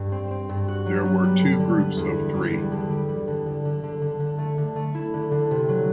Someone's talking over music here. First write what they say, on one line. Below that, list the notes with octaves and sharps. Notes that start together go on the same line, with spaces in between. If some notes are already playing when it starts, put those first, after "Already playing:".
There were two groups of three.
Already playing: G2
C4
C4
G2
F#4
F#3
B3
G3
D3
D3
B3
E2
G3
E2
G3
D3
G3
G3
D3
D3
D3
D3
D3
D3
A3
D3
A3
E4
D3
D3
C3
F#3